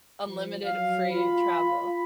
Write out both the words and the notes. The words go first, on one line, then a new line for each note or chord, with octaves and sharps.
unlimited free travel.
F3
F#3 F5
F4 B5